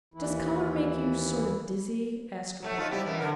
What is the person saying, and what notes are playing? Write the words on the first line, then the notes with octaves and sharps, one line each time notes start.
"Does color make you sort of dizzy?" asked Rebecca.
D#2 E3 E4
F#3 G#3 A3
D#4 F4 F#4
C3 E4 G4
F#2 E3 G3
D3 A#4